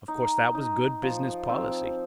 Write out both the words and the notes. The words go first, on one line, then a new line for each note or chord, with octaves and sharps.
Of course, that was good business policy.
D#4
D#4
F3
C4